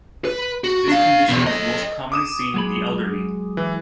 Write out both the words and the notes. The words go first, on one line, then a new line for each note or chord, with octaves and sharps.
This condition is most commonly seen in the elderly.
B4
F#4
D4 F5
E2 B2
A4 D#5
D6 D#6 E7
F#3 G#3 B5
E3